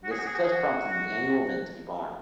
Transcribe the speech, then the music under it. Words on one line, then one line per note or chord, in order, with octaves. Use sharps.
The success prompted an annual event to be born.
F#4
G#4
F#4
G#4
F#4
G#4
F#4
F#4